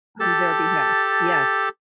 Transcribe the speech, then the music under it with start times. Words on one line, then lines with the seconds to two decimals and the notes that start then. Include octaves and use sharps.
on their behalf Yes.
0.20 G4 A4 A5